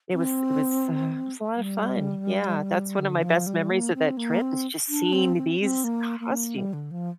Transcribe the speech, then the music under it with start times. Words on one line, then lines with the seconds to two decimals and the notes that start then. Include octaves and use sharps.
it was it was, uh it was a lot of fun yeah, that's one of my best memories of that trip is just seeing these costume
0.13 C4
1.56 G3
2.99 D3
3.23 F3
3.47 G3
3.70 A#3
3.94 C4
4.17 A#3
4.41 C4
4.89 D4
5.13 C4
5.37 C4
5.60 C4
5.84 A#3
6.20 A#3
6.56 G3
6.73 D3
6.91 F3